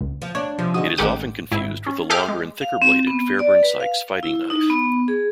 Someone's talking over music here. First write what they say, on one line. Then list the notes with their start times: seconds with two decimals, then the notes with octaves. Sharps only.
It is often confused with the longer- and thicker-bladed Fairbairn-Sykes fighting knife.
0.01 C#2
0.22 F3
0.35 D4 C#5
0.59 C3 F3
0.74 D3 G#3 F#4 D#6
0.98 A1 D#3 G#3 G4 F#5 D6
1.51 G#1 E4
1.86 C#4
2.10 G#4 A4 E5 G5 D6 F6
2.28 G#3
2.61 F5
2.82 C4
3.07 B3
3.39 D5
3.63 B4
3.80 F5
4.23 E4
4.50 D#4
4.70 B3
5.08 G#4